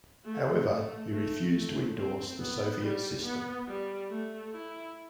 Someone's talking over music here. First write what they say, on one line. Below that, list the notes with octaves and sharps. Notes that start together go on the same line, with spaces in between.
However he refused to endorse the Soviet system.
A3
A3
A3
A3
C4
B3
G3
B3
G3
A3
E4